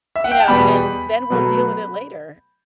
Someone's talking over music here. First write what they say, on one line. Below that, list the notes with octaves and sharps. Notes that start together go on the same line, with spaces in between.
you know, and then we'll deal with it later.
E5
F#5
G5
A5
E2 B2 G3 B3 B5
B2 F#3 A3